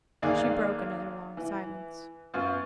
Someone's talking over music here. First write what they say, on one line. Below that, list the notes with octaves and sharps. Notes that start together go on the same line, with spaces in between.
She broke another long silence.
B1 D#3 A#3 G#4 D5 F#6
E3
F#2 B3 F4